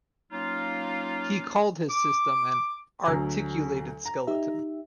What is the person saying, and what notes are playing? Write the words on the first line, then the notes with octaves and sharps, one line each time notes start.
He called his system an "articulated skeleton".
F#3 A#3 C#4 D#4 F4
D6
D2 F#3 G#5 A#5
A#5
D#4 G4 E5